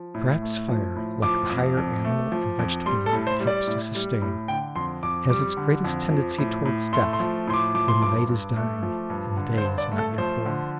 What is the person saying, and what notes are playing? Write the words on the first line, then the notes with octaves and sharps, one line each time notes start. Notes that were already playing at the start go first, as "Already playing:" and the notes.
Perhaps fire, like the higher animal and vegetable life it helps to sustain, has its greatest tendency towards death, when the night is dying and the day is not yet born.
Already playing: F3
A2
A3
F3
A2
F3 D6
F2
F2
A3
F3
F2
G3 C6
A4
A2
C5
G3
D5
A2
G3
A2
D3 G5
F2 C6
F2 D6
G3 D6
D3
F2
F3
A2
A2
A3 C6
C6
F3
A2 C6
D6
F3 D6
C6
G2 D6
G2
A3
F3
G2
D3
C5
G2
D5
A3
A4
F3 C5
D3